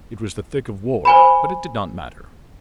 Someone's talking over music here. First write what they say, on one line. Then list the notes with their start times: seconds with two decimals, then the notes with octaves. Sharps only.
It was the thick of war. But it did not matter.
1.05 C5 G#5 B5